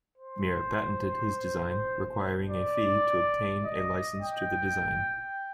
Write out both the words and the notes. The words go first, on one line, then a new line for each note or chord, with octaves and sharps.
Mier patented his design, requiring a fee to obtain a license to the design.
C5
D5
D#5
G5